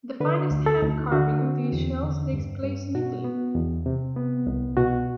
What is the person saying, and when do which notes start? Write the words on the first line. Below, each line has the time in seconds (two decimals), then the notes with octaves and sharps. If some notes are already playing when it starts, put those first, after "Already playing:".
The finest hand-carving of these shells takes place in Italy.
0.20 D3 B4
0.51 D2
0.66 A4
0.82 D2
1.12 D3 F#4
1.42 C4
1.73 E2
2.03 D3
2.34 G2
2.64 G2
2.94 B2 F#4
3.24 B3
3.55 E2
3.86 C3
4.16 B3
4.47 C2
4.77 B2 F#4